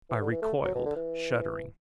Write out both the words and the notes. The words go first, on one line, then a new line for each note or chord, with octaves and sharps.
I recoiled shuddering.
E3
D3
E3
A3
F#3
B2
D3
E3